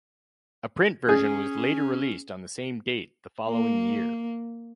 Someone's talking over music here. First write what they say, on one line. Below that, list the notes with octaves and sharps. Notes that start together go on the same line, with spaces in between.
A print version was later released on the same date the following year.
C#4 G#4
A#3